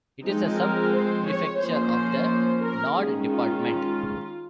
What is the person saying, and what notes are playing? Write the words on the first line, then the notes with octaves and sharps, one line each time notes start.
It is a sub-prefecture of the Nord department.
F3 G#3 C4 D#4
A#4
C5
C#5
F3 A#3 C#4 C5
A#4
D#3 G#3 C#4 G#4
F4
F4